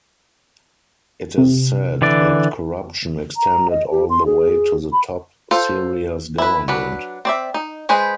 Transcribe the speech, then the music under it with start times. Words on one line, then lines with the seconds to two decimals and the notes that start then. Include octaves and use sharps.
It is said that corruption extended all the way to the top Syria's government.
1.38 C3
2.02 D3 E3 D5
3.37 A#5
3.70 D#5
3.91 G4
4.10 C6
4.26 G#4
4.93 B5
5.51 F4 A4 C5
6.38 E4 B4
6.68 F#3 D4 B4
7.25 C4 D5 E5
7.54 D#4
7.89 G#3 G#4 B4 C5